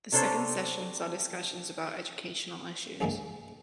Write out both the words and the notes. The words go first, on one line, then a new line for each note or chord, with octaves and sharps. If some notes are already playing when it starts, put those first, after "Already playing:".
The second session saw discussions about educational issues.
C3 D4 A4 C5 C#5 A5
C2 G2 E3 G3 G#3 A#3